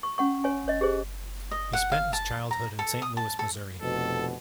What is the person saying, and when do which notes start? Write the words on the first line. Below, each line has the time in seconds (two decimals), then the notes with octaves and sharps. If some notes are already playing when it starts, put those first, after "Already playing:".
He spent his childhood in Saint Louis, Missouri.
0.03 C#6
0.18 C#4 F#5 C#6
0.44 C#5 G#5
0.68 C#5 D#5
0.81 G4 G#4 C5
1.51 D#5
1.73 F#5
1.92 F5
2.13 A5
2.51 A#5
2.79 A4
3.02 D#6
3.17 A5
3.39 A4
3.81 F1 B2 A4